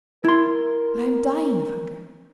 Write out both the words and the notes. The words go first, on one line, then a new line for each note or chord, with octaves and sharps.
But I am dying of hunger.
E4 A#4 C6